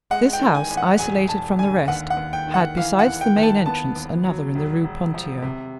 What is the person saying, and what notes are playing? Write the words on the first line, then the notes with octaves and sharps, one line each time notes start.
This house, isolated from the rest, had, besides the main entrance, another in the Rue Ponthieu.
G#3 F#5
G5
D#3
G#5
A1
F#5
E1 G#5
E1 A5
D3 G#5
D#2 F#5
F#5
D#2
G5
D#3
F#5
E3 F5
F#5
D#2
G5
D#2
A5
B3 A5
D#2
F#3
E1
E1
F3
C3